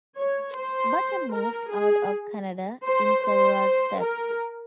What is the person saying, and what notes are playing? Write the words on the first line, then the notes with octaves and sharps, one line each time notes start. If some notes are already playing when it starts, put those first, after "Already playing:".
Bata moved out of Canada in several steps.
C#5
C5
A#4
G#4
C5
C5
A#4